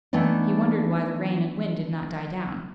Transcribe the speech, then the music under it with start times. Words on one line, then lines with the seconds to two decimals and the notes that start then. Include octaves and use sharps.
He wondered why the rain and wind did not die down.
0.13 E3 A3 B3 D4 D#4